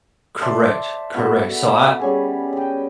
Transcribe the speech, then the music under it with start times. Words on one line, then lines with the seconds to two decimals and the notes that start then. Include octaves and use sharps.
Correct. Correct. So I
0.42 C5 D5 E5 A5
1.14 B3 F#4 A4 B4
1.72 A4
2.00 G3 C#4 G#4
2.53 D#5 G5